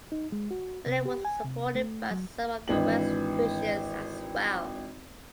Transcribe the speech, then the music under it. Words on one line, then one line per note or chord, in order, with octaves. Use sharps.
William was supported by some of the West Frisians as well.
D#4
G#3
F#4
C3
G4
G#5
C3
A3
F#3
G#1 E3 D4 F#7